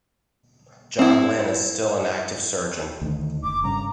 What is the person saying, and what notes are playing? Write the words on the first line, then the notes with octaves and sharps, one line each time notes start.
John Lynn is still an active surgeon.
C4 E4
D2 D#3
F#1 D6
G2 C#3 A#5